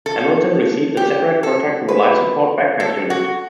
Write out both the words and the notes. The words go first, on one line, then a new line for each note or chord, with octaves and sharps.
Hamilton received a separate contract for the life support backpack unit.
A4
G4
A4
B4
A4
F#4